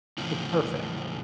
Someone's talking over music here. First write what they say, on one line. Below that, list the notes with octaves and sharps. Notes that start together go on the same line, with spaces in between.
Well, perfect.
E2 A2 C#3 F3